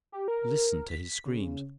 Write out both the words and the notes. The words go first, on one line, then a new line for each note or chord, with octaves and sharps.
Listen to his screams!
G4
A#4
B6
C#3